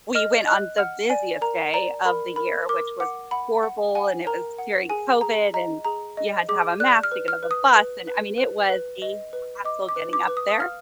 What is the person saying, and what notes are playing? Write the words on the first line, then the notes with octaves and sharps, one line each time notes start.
we went on the busiest day of the year, which was horrible, and it was during COVID, and you had to have a mask to get on the bus and, I mean, it was a hassle getting up there,
D#5 F6
D#5 F#6
F#5 F6
D5 G#5
A#4 A#5
D5 A#5
A#4 B5
A#4 B5
A#4 D6
F#5 D6
F#5 B5
F#5
F#5 G#5
A#4 A#5
F#5
G#4 G#5
G#4 A#5
D#5 A#5
G#4 A#5
D#5
G#4 D6
D5 F#6
F6
B4
F6
B4
D#6
B4
B4
B4
B4
D#5
B4
D#5 D6
D6
B4
D6
B4
D#6
D#6
F5 F6